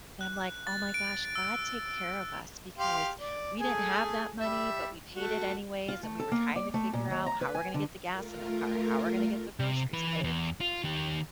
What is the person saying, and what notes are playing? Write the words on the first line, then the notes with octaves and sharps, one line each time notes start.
and I'm like, "Oh my gosh." God take care of us because we didn't have that money, but we paid it anyways, and we were trying to figure out how we're gonna get the gas in our car, how we're gonna get the groceries paid.
F#6
A6
D7
E6
G4 F5 C6
D5
A3 G#4 G#5
G3 E5
A3 F#4
F4
A3
A4
A#3
D5
A3
A#2
D#2
A#5
B4
G#5
D3
A3 F4 A#4
C3
E3 B4
E2
F4
D#3 G4